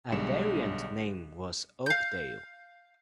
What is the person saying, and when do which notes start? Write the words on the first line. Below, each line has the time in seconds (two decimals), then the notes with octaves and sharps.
A variant name was Oakdale.
0.12 B1 D3 G3 G#3 C#7 E7
1.86 F5 G6